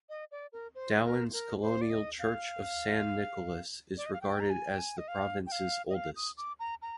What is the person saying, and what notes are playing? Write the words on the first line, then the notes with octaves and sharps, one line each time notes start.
Dauin's colonial Church of San Nicolas is regarded as the Province's oldest.
D#5
D5
A#4
C5
A#4
A#4
C5
D5
D#5
F5
D5
D#5
F5
G5
A#5
G#5
G5
G#5
D#5
F5
G5
F5
D#5
F5
D#6
D6
A#5
A#5